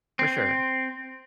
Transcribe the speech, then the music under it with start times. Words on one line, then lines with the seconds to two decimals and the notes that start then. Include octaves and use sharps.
For sure.
0.19 C4